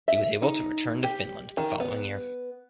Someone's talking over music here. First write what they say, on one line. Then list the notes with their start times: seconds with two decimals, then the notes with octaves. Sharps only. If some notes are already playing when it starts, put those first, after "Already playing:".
He was able to return to Finland the following year.
0.08 E5
0.42 D#4
1.04 G4
1.57 D#3
1.80 B3